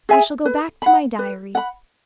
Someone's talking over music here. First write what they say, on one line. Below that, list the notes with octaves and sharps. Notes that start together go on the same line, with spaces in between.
I shall go back to my Diary.
G#4 E5 G#5
B4
F#5 B5
B4
F#5 B5